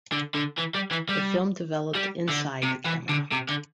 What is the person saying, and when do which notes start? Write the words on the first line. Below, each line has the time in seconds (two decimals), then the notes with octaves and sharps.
The film developed inside the camera.
0.12 D3
0.34 D3
0.58 E3
0.75 G3
0.92 E3
1.09 G3
1.95 G3
2.29 D3
2.63 C3
2.86 E3
3.09 D3
3.32 C3
3.49 D3